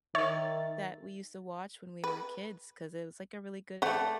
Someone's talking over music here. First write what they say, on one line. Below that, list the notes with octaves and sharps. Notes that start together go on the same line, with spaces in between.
that we used to watch when we were kids 'cause it was, like, a really good
D#3 C#5 E5 A6
B4
A3 B4 C5 D5 F#5